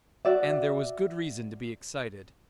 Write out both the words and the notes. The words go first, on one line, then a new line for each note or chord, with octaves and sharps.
And there was good reason to be excited!
F#4 D5 E5